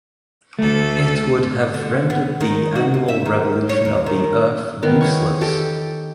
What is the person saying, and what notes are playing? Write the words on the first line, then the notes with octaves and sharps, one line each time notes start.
It would have rendered the annual revolution of the Earth useless.
D2 A3 A4
D3
B3
D#3
F#4
D2
E5
D#3
C#5
D#2
D#3
D#3 E3 B3 A#4
G#4 C#5 C#6
G4 A4 D#5 G5